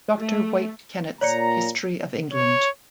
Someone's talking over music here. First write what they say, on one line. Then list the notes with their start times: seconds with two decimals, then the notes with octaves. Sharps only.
Doctor White Kennett's "History of England".
0.18 A3
1.21 A#2 C#5 D5 A#5 C#7
2.34 C#5